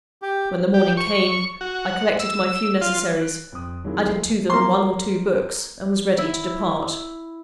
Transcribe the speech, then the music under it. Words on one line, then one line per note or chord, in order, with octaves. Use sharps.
When the morning came, I collected my few necessaries, added to them one or two books, and was ready to depart.
G4
G4
C#6
F#4
F#5
E6
F4
F#6 D7 F#7
F2 D#6
D#3 F#3 G#3 A#3 C4 E4
D#1 F3 A3 G#4 C7
A#3 C6
E4